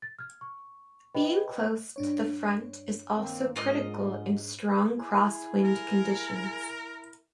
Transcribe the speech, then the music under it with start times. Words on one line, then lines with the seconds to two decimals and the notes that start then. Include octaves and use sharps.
Being close to the front is also critical in strong crosswind conditions.
0.02 A6
0.19 F6 G#6
0.41 C#6
1.15 B4 C5 D#5 G5 B5
1.96 G2 D4 C#5
3.15 D#3 A#3 C4
3.56 G#2 F4 A#4 D#5
4.98 E4 G#4
5.64 A#4